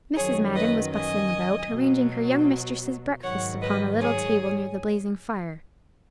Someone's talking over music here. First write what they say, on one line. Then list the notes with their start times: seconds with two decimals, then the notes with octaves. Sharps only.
Mrs. Madden was bustling about, arranging her young mistress's breakfast upon a little table near the blazing fire.
0.16 F#2 D#3 F#3 G#4 C#5
0.55 B4 D#5
0.93 D#5 G#5
1.69 B2 F#3
3.23 G#2 D#3 F#3 C#5 F#5
3.61 B4 D#5
4.00 G#4 C#5